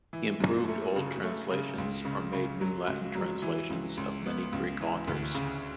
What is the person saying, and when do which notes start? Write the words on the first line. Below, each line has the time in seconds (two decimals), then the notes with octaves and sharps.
He improved old translations, or made new Latin translations, of many Greek authors.
0.13 E3
0.40 F#2
0.68 A3
0.96 C#3
1.23 A3
1.51 C#3
1.78 C#2
2.05 C#3
2.33 C#3
2.61 F#3
2.87 C#2
3.15 F#3
3.42 E3
3.70 C#2
3.97 C#2
4.26 B3
4.53 C#2
4.81 E3
5.07 D2
5.35 C#3